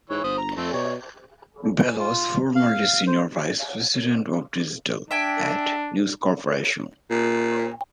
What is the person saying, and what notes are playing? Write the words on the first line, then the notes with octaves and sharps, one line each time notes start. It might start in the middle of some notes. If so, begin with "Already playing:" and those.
Bell was formerly Senior Vice President of Digital at News Corporation.
G#2 E3 C#5
G1 C5 D#6
A#5
F2 A3 C4
B2 C#5 D5
F4
F5
C5
D4 E5 G5 G#5
A#2